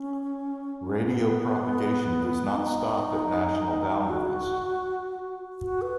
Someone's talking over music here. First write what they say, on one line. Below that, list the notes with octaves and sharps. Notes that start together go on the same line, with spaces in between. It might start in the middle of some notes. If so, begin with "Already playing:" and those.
Radio propagation does not stop at national boundaries.
Already playing: C#4
B3
D#4
F#4
F#4
B4